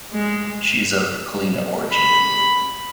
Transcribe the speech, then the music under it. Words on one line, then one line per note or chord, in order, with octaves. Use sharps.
She is of Kalina origin.
G#3
B5